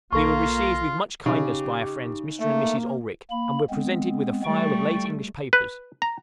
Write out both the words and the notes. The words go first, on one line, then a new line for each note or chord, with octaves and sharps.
We were received with much kindness by our friends, Mr. and Mrs. Olrik, and were presented with a file of late English papers.
B1 A#3 F4 A4 C#6 A#6
C#3 D#4 G4
A3 A#3
A#3 B5
G#3 B3 C4
G3 A3 G5 C#6
B4
A#5